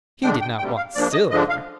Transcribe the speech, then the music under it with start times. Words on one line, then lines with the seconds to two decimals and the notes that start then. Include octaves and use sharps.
He did not want silver.
0.23 D3 G#3 D4 G5
0.41 G5
0.58 D2 C3 G3 G5
0.77 F5
0.95 G#2 F3 A#3 D4 D5
1.12 D#5
1.31 D3 F3 G#3 D4 D#5
1.49 F5